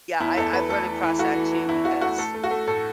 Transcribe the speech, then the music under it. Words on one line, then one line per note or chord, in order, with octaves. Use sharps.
Yeah, I I've run across that too because,
E2 E4
E2 A4
E2 B4
A3 A4
E3
E3
A3 F#4
E3
E3
E2 E4
E3 F#4
A3 F#4
A3 A4
A3
F#4
A3
A2 A4